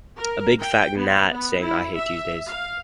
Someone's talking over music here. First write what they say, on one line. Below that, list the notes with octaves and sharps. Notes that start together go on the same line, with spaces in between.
A big fat gnat saying 'I hate Tuesdays.
A#4
G5
B3
B3
E4
E5
F5